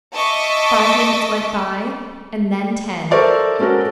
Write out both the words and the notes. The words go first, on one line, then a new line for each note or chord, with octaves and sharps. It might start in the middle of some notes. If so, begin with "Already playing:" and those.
Five minutes went by and then ten.
D#5 E5 A5 C#6 D6
A4 A#4 C5 D5 E5 C#6
G#3 C#4 F#4 A4 A#4